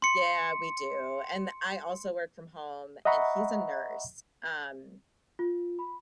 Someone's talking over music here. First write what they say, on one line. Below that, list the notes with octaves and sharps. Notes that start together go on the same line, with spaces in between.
Yeah, we do, and I also work from home, and he's a nurse, um,
C6 C#7
D#5 E5 F#5 A#5 B5 C#6
F4
B5